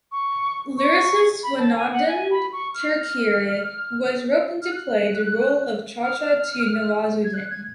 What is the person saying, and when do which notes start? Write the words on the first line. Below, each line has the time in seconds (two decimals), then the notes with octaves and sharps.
Lyricist Swanand Kirkire was roped into play the role of chacha to Nawazuddin.
0.12 C#6
0.77 C#6
1.43 B5
1.59 A5
1.76 G#5
1.92 F#5
2.08 G#5
2.31 B5
2.52 C#6
2.74 F6
4.62 F6
4.71 F#6
6.03 F6
7.24 G#6
7.34 F#6
7.50 G#6